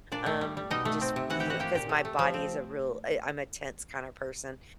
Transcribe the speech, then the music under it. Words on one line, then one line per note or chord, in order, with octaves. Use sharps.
Um, just feeling 'cause my body is a real I I'm a tense kinda person.
A#2 D4 D5
A3
G3
G3
B2 D#4 D#5
A3
C4
C3
E3 F#4 F#5
G4 G5
E3 F#4 F#5
A#3 G4 G5
A#2 G4 G5
A3
A3
F3
C4